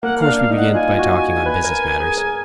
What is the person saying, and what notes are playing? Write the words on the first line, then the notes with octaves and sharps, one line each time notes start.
Of course, we began by talking on business matters.
A#3 F#5
F5
D4
F5
D#4
F#5
F4 G#5
F#4
B4
A#4
G#4
A#4